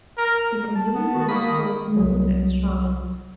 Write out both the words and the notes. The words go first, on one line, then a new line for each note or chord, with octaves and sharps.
The community was first known as Sharon.
A#4
A5
B3
D#3 F#4
A#3 A#4 B5 D#6
D#3
C2 F#3